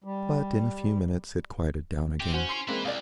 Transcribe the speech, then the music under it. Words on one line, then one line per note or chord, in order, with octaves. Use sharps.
But in a few minutes it quieted down again.
G3
C4 G4
C#4 F#4 C5
C6 C7 D7
G#3 A#3 C4 E4 B4
C2 D5 F5